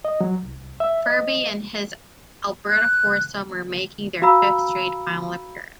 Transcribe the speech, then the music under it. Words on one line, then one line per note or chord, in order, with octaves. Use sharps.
Ferbey and his Alberta foursome were making their fifth straight final appearance.
D#5
F#3
C2
E5
D#5
F#6
F#4 F5 A#5 B5 E6